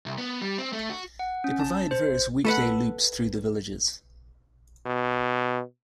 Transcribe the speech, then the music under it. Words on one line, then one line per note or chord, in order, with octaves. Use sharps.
They provide various weekday loops through the Villages.
C2
B3
G3
C4
A3
F#4
F#5
C#4
A5
C5
A3 A4 B4 F#5
B2